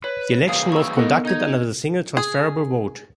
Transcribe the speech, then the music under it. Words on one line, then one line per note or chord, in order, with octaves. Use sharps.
The election was conducted under the single transferable vote.
B4 C#5
E3 A#3 G#4 F5 D#6 C7
B5 C#6 E6
B3 D#4 A4 A#4 D#5 F#5
D#4 D#5 G#6
G#4